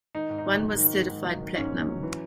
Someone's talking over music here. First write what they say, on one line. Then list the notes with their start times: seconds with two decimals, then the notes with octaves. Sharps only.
One was certified Platinum.
0.15 D#3 D#4
0.30 G#2
0.38 D#4
0.46 G#2
0.62 F#3
0.77 D#3
0.93 G#2
1.09 G#2
1.25 F#3
1.41 D#3
1.56 G#2 C#4
1.71 G#2
1.88 F#3
2.03 E3